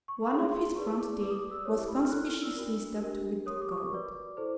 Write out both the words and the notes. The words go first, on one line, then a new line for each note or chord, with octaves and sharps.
One of his front teeth was conspicuously stopped with gold.
C#6
D#4 G#4 C#5 C6
C6
E4 G#4 B4 D5 C#6
D6
G4 B4 D5 D6
D#6
D6
E6
E4 G4 A#4 C#5 D#6
D6
B5
F6
E4 A4 D5 F#6
F6
E6
D4 F#4 A#4
D4 G4 A#4
G4 A#4 C#5 D#6
D6
C#6
D6
F#4 B4 D5
E4 A4 C5